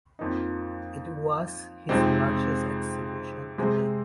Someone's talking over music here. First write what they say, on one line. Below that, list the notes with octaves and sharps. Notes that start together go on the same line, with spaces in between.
It was his largest exhibition to date.
F2 F3 A#3 D#4
F2 C3 G#3 C4 D#4
C3 G#3 C4 G#4